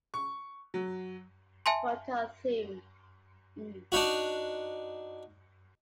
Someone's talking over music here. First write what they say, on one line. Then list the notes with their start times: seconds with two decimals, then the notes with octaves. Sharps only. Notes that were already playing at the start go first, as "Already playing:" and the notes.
Motto Theme, mm.
0.14 C#6
0.74 F#3
1.66 E5 G#5 A5 C6
3.92 D4 D#4 F#4